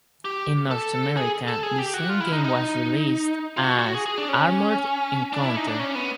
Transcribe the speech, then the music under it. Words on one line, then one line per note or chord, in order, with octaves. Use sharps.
In North America, the same game was released as Armored Encounter!
G4
A4
G#4
A4
G#4
G4
F#4
F4
E4
D#4
D#4
F4
F#4
F#4
G#4
G#4
D4
C#4
D4
E4
D#4
D4
C#4
B3